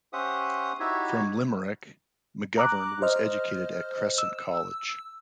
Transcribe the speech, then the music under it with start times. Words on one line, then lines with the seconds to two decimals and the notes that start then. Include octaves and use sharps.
From Limerick, McGovern was educated at Crescent College.
0.13 C#4 G4 C5 E5 F#5 D#6
0.80 D#4 E4 F#4 G4 C#5 E5
2.58 A#5 D6 F#6
3.02 C5 D#5 F6
4.18 E6